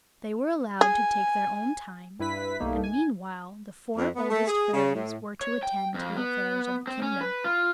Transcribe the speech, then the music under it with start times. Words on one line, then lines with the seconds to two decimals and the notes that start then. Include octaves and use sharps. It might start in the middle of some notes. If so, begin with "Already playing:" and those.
They were allowed to take their own time, and meanwhile the four oldest fairies were to attend to the affairs of the kingdom.
0.81 G#4 G#5
2.19 G2 E4 B4 B6
2.60 B1 G2 A3 A#3 D#4
2.84 G#5
3.97 F2
4.16 B3
4.30 A3
4.48 G#4
4.74 C#3
4.95 A2
5.41 C#5
5.63 G5
5.94 F2
6.17 B3
6.87 C4
7.02 C#4
7.21 B4
7.44 F4